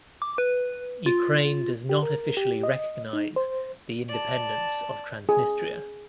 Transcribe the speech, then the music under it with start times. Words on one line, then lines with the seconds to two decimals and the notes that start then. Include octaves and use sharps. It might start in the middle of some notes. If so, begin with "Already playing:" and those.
Ukraine does not officially recognize the independence of Transnistria.
0.22 D6
0.38 B4
1.06 F4
1.89 G4
2.03 A#4
2.37 G4
2.63 D#5
3.13 D#4
3.36 C5
4.09 D5 A5
5.29 G#4